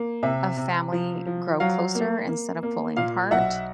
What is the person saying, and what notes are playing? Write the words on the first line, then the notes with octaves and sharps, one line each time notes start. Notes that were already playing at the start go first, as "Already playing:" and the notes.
a family grow closer instead of pulling apart?
Already playing: A#3
C3 E5
C3
F3
F3
F#3 F5
A#3
A#3
A#3
A#2 F5
B1 E5 F#5